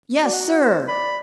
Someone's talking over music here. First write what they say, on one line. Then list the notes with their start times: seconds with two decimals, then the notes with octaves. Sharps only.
"Yes, sir."
0.22 F#4 D5
0.34 F#5
0.61 C5
0.88 D5 B5